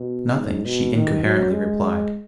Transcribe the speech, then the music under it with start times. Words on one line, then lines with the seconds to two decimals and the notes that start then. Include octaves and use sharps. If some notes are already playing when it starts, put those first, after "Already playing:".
'Nothing,' she incoherently replied.
Already playing: B2
0.36 G#2
0.65 B2
0.94 D#3
1.23 F#3
1.52 G#3